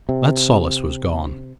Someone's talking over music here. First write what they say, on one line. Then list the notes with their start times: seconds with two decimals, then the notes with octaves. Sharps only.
That solace was gone.
0.09 C3